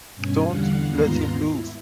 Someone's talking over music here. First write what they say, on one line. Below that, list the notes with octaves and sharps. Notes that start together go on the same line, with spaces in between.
Don't let him loose!
G2 B2 C#4 G#5
E2 D3 G3 F5 F#5
D#2 G#2 B3 F4 A#5 C6
E4